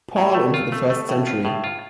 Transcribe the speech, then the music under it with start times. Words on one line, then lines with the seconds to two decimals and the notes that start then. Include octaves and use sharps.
Paul into the first century.
0.16 A2
0.35 A3
0.54 F4
0.72 A3
0.90 A3
1.09 A2
1.27 F4
1.45 A2
1.64 F4